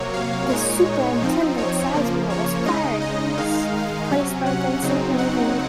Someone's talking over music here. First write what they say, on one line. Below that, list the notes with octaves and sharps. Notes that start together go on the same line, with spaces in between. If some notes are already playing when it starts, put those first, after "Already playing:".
The superintendent, Sizemore was fired and was replaced by Vincent E. Reed.
Already playing: C3 F#3 A#3 C#5
F5
A#2 G#3 D#4 C#5
F3 C4 D#4
C#5
C#3 F3 A#3
C#5
C#3 G#3 D#4 D#5
D#5
D#3 G#3 D#4 F5
C3 F#3 C#4
F#5
C#3 F#3 C4 D#4
F#5